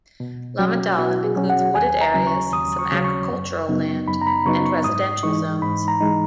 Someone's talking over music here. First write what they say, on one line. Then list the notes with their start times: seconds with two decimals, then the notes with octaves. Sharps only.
Lommedalen includes wooded areas, some agricultural land, and residential zones.
0.20 B2
0.59 F#3 C#4
0.98 B2 F#4
1.24 G#4
1.36 F#3 C#4
1.50 F#5
1.75 D#2 G#5
2.01 A#5
2.14 C#3 F#3 C#4
2.27 C#6
2.53 D#2 D#6
2.79 C#6
2.92 C#3 F#3 C#4
3.04 C#6
3.30 F#2
3.69 C#3 F#3 B3 D#4
4.08 F#2 B5
4.21 A#5
4.27 B5
4.46 C#3 F#3 B3 D#4 C#6
4.66 C#6
4.84 G#2 D#6
5.23 E3 G#3 D#4 C#6
5.62 G#2 B5
5.88 A#5
6.01 E3 G#3 D#4